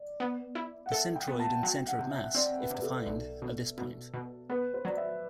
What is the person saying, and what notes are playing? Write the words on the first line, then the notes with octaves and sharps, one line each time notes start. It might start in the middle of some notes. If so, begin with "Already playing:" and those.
The centroid and center of mass, if defined, are this point.
Already playing: D5
B3
E4
F#5
A4 E5
G5
B3
A5
F#3 G5
F#5
C3
E5
C4 D5
B4
C3 B4
A4
B1
B2
B2
B2
B3 B4
C5
F#3 D5
E5